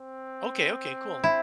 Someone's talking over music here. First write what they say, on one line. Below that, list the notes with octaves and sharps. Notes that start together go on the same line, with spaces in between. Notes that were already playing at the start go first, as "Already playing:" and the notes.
Okay, okay, cool.
Already playing: C4
E4